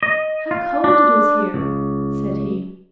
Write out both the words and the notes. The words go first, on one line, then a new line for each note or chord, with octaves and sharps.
"How cold it is here!" said he.
D#5
F4
D4
C#2